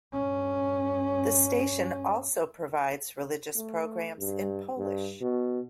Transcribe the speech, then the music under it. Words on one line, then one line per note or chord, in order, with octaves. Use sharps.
The station also provides religious programs in Polish.
G2 C#4
A3
G2
G2
B2